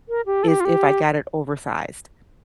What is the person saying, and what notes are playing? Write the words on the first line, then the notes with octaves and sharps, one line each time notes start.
is if I got it oversized,
A#4
G4
A4
G4
F4
G4